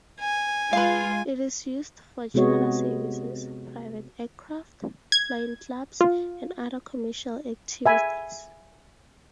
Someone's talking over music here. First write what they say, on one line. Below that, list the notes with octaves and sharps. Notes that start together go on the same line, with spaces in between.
It is used for charter services, private aircraft, flying clubs, and other commercial activities.
G#5
G#3 F4 B4 F5
C3 G#3 B3 F#4 C#5 D#5
G#6
F4
E5 G#5 B5